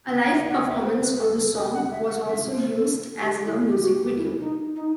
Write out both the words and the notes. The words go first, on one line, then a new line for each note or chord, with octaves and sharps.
A live performance of the song was also used as a music video.
F#5
F#5
E5
F#5
E5
C5
B4
B4
A4
A4
D#5
F#5
E5
F#5
E5
C5
A4
G4
E4
G4
F#4
G4
E4
D#4
D#4